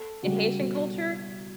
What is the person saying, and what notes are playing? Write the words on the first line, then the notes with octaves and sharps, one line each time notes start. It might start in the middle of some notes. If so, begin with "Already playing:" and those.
in Haitian culture,
Already playing: A4
C#3 G3 F#4
B2 G3